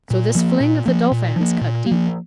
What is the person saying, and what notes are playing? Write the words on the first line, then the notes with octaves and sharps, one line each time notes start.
So this fling of the Dauphin's cut deep.
A#2
F3 A#3
A#2
F3 A#3
A#2
F3 A#3
A#2
A#3
F3